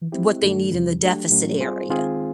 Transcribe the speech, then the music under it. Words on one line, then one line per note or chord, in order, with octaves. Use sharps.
what they need in the deficit area.
G#3 C4 E4 G4
G2 D#3 F#3 A3 D4
E2 C3 E3 G3
F#3 A3 D4 G4
A2 F#3 A3 C#4
G3 C4 F4 G#4 C5
D#3 G#3 C4 F4 G#4